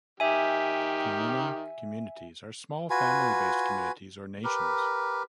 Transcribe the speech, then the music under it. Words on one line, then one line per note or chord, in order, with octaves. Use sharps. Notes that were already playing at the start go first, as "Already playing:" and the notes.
Kumina communities are small family based communities or nations.
D#3 G4 E5 G#5
F4 F#4 B4 G#5
G4 A#4 B4